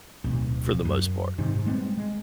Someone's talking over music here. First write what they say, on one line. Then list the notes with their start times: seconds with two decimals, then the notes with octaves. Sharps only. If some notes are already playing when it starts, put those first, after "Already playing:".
for the most part.
0.24 D1 B1
0.85 F#2
1.38 G#2 C3 D#3
1.55 G#2
1.66 G3 G#3 B3 C4
1.97 G#3